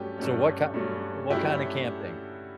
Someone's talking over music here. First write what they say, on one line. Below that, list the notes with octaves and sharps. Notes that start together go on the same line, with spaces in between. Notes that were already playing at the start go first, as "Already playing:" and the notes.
So what kind what kinda camping?
Already playing: G2 F#3 A3 C#4 G4
G2 F#3 A3 C#4
G2 F#3 A3 C#4
G2 F#3 A3 C#4 E4 G4